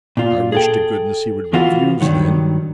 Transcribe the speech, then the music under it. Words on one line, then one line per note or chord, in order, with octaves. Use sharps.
"I wish to goodness he would refuse, then!"
A#2 F4
G#4 A4 G5
E3 F4 F#4
G2 C3 D#3 F#3